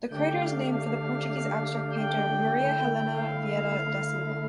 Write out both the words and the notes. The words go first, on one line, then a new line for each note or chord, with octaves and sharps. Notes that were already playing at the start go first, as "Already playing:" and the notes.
The crater is named for the Portuguese abstract painter Maria Helena Vieira da Silva.
D3 A3 D4 G4 G5
F5
F5
G5
D3 A3 E4
F5